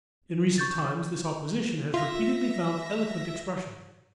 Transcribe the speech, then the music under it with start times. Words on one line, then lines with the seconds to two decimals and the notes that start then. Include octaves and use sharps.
In recent times this opposition has repeatedly found eloquent expression.
0.58 C#6 G6 A6
1.94 F4 E5 A#6